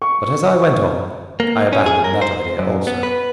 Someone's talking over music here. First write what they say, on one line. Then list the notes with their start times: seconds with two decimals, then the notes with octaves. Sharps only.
But as I went on I abandoned that idea also.
0.02 C#6
1.40 A#3
1.73 C#4
1.86 G#4
2.04 A#4
2.22 C5
2.59 F#2
2.87 B3
3.03 B4